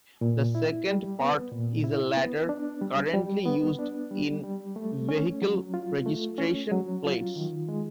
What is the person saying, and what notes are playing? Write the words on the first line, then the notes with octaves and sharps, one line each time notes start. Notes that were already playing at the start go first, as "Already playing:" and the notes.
The second part is a letter, currently used in vehicle registration plates.
A#2
E4
G3
B3
A#2
E4
B3
D4
G3
G3
B3
D4
G3
G3
A3
C#4
F#3
F4
A3
C#4
F#3
F4
D#3
G#3